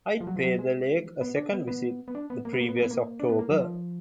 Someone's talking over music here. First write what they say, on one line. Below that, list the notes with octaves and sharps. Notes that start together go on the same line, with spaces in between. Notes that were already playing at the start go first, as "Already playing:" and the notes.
I'd paid the lake a second visit the previous October...
F3
F#3
F3
F#3
G#3
B3
D4
B3
B3
B3
D4
B3
A#3
B3
A#3
B3
A#3
B3
A#3
D4
B3
A#3
F#3
F3